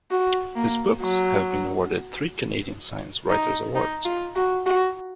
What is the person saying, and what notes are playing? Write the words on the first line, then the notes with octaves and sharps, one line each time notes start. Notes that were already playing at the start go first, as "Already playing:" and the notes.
His books have been awarded three Canadian Science Writers' Awards.
F#4
A#3
F#3
D#4
D#4
F4
F#4
F#4